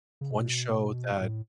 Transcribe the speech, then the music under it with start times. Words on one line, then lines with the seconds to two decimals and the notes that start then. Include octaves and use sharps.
one show that
0.21 C#3
0.31 B2
1.21 A2